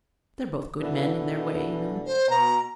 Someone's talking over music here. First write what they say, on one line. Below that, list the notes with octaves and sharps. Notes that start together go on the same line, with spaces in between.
"They're both good, men in their way, you know."
B2 D3 E3
C5
B2 A#5